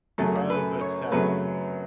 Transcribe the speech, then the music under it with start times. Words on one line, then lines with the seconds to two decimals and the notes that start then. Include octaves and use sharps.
Pro Vercelli.
0.18 F#2 C#3 F#3 A3 A4
0.50 B4
0.81 C#5
1.11 F#2 C#3 F#3 A3 B4